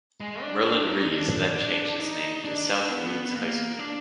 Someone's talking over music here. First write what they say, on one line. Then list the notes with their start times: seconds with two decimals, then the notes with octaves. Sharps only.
Merlyn Rees then changed its name to South Leeds High School.
0.20 G#3
0.42 D4
0.65 D4
0.87 D#4
1.10 D4
1.54 D4
1.99 D#4
2.45 D4
2.89 B3
3.35 A#3
3.79 D4